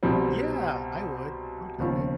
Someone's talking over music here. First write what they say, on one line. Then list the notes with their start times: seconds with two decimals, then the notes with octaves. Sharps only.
Yeah, I would, I would count it.
0.03 C2 B2 G3 C4
1.79 E1 D#2 C#3 F3